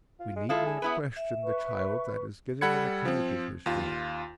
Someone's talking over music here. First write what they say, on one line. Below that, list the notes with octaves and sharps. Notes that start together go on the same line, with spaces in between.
We need not question the child that is giving an account of his dream.
F4
G#3
G#3 E4 F4 A4
G#4
B3 E4 B4
E5
B4 C#6
G3 A4 F#5 B5 G#6 C#7
F3 C4
D#2 F4